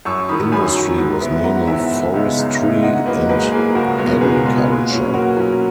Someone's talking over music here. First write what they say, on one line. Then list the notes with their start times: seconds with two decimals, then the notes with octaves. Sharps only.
Industry was mainly forestry and agriculture.
0.05 F#2 C#6 E6
0.28 D#3 F#3 B5 D#6
0.52 F#2 G#5 B5
0.76 D#3 F#3
0.98 G#2
1.21 E3 B3 E4
1.44 G#2 F#5 A#5
1.61 F#5
1.67 E3 B3 E4 E5 G#5
1.90 C#2
2.14 C#3 G#3 B3 D#4
2.37 C#2
2.59 C#3 G#3 B3 D#4
2.82 G#2 D#5 F#5
3.06 F#3 A#3 B4 D#5
3.29 G#2 G#4 B4
3.52 F#3 A#3 G#4
3.75 C#2 F#4 A#4
3.98 B2 G#3 B3
4.21 C#2 G#4 B4
4.44 B2 G#3 B3
4.68 A#2
4.91 F#3 C#4
5.13 A#2 F#4 A#4
5.37 F#3 C#4